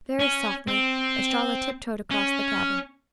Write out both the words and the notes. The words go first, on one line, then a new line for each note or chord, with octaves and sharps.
Very softly Estralla tiptoed across the cabin.
C#4
C4
C#4